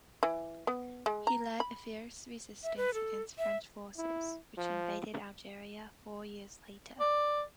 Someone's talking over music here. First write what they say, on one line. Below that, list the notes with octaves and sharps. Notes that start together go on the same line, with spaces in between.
He led a fierce resistance against French forces, which invaded Algeria four years later.
E3
B3
G#3
A#5
B5
E5
B4
A4
E5
E4
F3
D5